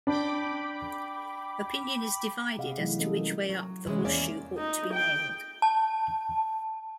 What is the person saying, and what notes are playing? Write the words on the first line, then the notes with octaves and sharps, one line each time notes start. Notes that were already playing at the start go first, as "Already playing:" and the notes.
Opinion is divided as to which way up the horseshoe ought to be nailed.
D4 G5 B5 D6
C3 G#4 D#5 F5 F#5
E3 F#3 G3 A3 D#4 E4
E3 F#3 C#4 A4 D#5
D#3 F3 G3 G#3 F#4 A#4
F#3
C3 E3 F#3 G#3 C#4
E2 A#3 C#4 D5 E5 F5
D#4
G5
A5